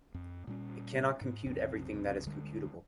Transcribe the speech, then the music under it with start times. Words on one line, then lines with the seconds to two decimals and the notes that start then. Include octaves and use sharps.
It cannot compute everything that is computable.
0.14 F2
0.47 A#2 G3 C#4
1.21 G#2
1.46 C2 F#2 C#3 C4
2.27 D2 D3 G3 G#3